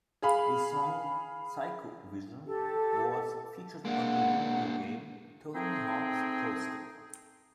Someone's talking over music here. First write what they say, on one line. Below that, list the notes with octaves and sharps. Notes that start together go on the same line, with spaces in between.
The song "Cyco Vision" was featured on the video game "Tony Hawk's Pro Skater".
G#4 F5 B5
G4 A4
G#3 A#3 D4 F#5
A3 C4 D#4 G#4 C5 G5